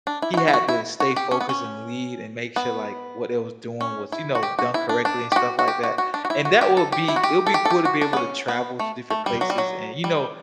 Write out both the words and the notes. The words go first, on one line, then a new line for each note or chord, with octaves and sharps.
he had to stay focused and lead and make sure, like, what it was doing was, you know, done correctly and stuff like that, and that would be it would be cool to be able to travel to different places and, you know,
D4
E4
E4
F#4
E4
F#4
E4
F#4
G4
C#4
B3
C#4
B3
C#4
E4
F#4
G4
F#4
E4
D4
D4
G4
F#4
F#4
G4
F#4
F#4
D4
F#4
E4
F#4
G4
A4
G4
E4
F#4
G4
A4
G4
A4
G4
F#4
D4
B3
C#4
B3
A3
A3
G3
F#3
G3
F#3
G3